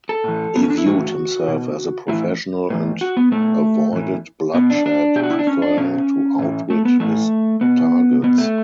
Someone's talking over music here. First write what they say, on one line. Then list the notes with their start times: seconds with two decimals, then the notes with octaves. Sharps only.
He viewed himself as a professional and avoided bloodshed, preferring to outwit his targets.
0.09 A4
0.24 A2 E3
0.56 B3
0.63 C#4
0.70 D4
0.78 E4
0.86 A2 E3 F#4
1.48 B2
2.08 A2 E3 E4
2.70 A2 E3
3.01 F#4
3.17 B3
3.32 B2 A3
3.93 A2 E3
4.54 B2 B3
4.70 D4
4.86 D4
5.16 B2 G4
5.23 F#4
5.31 E4
5.39 D4
5.47 C#4
5.62 D4
5.78 B2 C#4
6.39 A2 E3
6.70 A3
6.85 B3
7.00 A2 E3 A3
7.61 B2 B3
8.23 B2 B3
8.38 A3